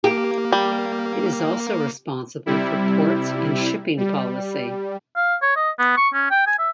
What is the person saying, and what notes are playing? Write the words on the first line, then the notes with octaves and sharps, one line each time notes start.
It is also responsible for ports and shipping policy.
A#3 G4
G3
C3 G3 E4
G3
F5
C#5
D#5
B3
C#6
C#4
G5
G#5
E5